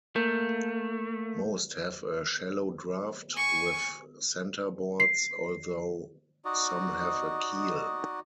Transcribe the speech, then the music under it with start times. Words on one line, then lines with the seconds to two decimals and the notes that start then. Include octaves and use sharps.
Most have a shallow draft, with centreboards, although some have a keel.
0.16 A3 A#3 A#4 G6
3.34 G#5 C#6
5.00 C7
6.45 D#4 F#4 D5 D#5